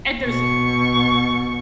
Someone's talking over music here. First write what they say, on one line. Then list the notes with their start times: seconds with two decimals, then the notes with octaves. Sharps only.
And there's I
0.24 B2 C#6